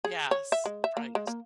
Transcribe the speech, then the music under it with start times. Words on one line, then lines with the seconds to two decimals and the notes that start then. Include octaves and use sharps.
Yes. Right.
0.04 G#4
0.31 C#5
0.52 E5
0.66 G#3
0.84 E5
0.97 A#3
1.15 G#3
1.27 A#3